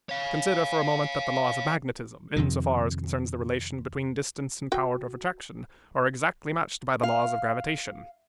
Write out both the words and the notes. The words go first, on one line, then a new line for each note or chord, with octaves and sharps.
"Consider for a moment that the laws of magnetism, insofar as concerns the relation between distance and power of attraction, are exactly matched by the laws of gravitation."
C#5 F5
F2 C3 D#3
F#4 G5
F5